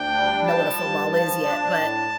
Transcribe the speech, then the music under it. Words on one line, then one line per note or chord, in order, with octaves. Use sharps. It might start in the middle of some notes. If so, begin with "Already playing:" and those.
know what a football is yet, but,
Already playing: D2 D4 G5
G3
F3 A5
G2
F3 A5
D4
A2